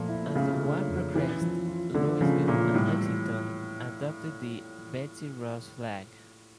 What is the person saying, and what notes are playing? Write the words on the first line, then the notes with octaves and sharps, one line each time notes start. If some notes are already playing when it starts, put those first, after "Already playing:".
As the war progressed, Louisville and Lexington adopted the "Betsy Ross flag".
Already playing: A#2 F3 A3
E4
C#3 A3
D3
F2
E3 C#4
F3
F4
D3 A3
C#3 F3
A#2 E4
A2 G3
E3